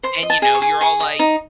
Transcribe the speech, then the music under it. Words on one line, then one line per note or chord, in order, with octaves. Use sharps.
and, you know, you're all, like
C5 C6
D#5
A5
G#4
C#6
G#4
G#4 C#6
D#5
D#4